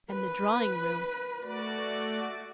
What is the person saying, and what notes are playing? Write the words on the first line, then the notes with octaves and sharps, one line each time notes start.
And the drawing-room!
B4
A3 F#4 D5